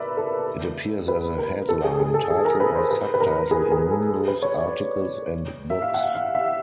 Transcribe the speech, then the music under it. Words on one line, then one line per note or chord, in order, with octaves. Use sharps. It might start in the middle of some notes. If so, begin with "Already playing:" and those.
It appears as a headline, title or sub-title in numerous articles and books.
Already playing: A#4 B4 D5 E5
A4
B4
A#4
A4
G#4
G#4
A4
G#4
A#4
B4
C5
B4
B4
A#4
G#4
G#4
A4
B4
C#5
D5
E5
F5
F#5
F5
E5